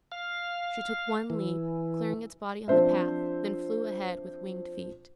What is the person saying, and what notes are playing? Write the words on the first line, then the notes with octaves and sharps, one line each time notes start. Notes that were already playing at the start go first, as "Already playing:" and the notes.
She took one leap, clearing its body on the path, then flew ahead with winged feet.
F5
E3
F3 C4 D4 C5 E5